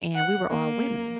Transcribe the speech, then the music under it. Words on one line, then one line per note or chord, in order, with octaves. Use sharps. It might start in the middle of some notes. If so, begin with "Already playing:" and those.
and we were all women,
F#5
A#3